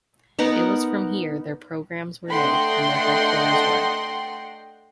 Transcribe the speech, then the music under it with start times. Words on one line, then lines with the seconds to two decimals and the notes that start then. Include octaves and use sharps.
It was from here their programmes were made and their headquarters were.
0.39 B3 D#4 A#4 F#5
2.29 A3 D4 D#5 F#5 G5 C6